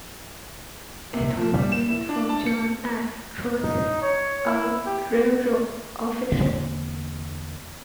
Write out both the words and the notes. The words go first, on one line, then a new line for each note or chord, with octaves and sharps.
It was named for John F. Tracy, a railroad official.
C3
F3
G3
E7
E4
D4
A5
C#7
D#4
C#5
E4
G4
E2 D3 A#3 C4